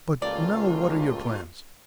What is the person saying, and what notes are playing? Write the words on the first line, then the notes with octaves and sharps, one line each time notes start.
But now what are your plans?
C#2 G3 A3 A#3 F4 D5